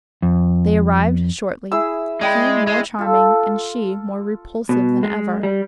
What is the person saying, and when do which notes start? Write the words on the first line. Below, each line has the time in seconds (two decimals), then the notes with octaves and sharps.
They arrived shortly; he more charming and she more repulsive than ever.
0.22 F2
1.72 E4 G#4 E6
2.21 G#3 D5 G5 B5
2.67 G#3
2.99 F4 A4
4.69 B2
5.03 G#3
5.43 G3